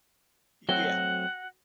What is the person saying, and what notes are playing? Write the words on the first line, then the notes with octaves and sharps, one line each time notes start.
Y yeah.
F#3 A3 C4 F#4 F#5 G5